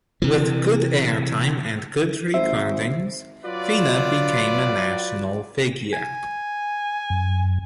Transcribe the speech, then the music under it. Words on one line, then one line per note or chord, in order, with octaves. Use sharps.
With good air time and good recordings, Fina became a national figure.
C3 E3
G#1 C5 E5
F#3 F4 B4 D5
G#5
F#2